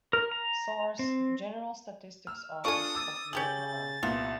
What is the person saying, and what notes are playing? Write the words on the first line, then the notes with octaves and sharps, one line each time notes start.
Source: General Statistics Office of Vietnam.
A#4
A#5
C4
E6 F6
D4 F4 A4 G#5 C#6 D#6
D6 E6 A6
C#3 C#4 G4 G#4 G6 A6 F#7
C2 A#2 B3 F4